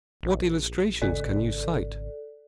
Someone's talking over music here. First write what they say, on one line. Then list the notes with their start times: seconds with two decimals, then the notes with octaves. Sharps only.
What illustrations can you cite?
0.23 A#1
1.02 G#1 C#3 A4 D5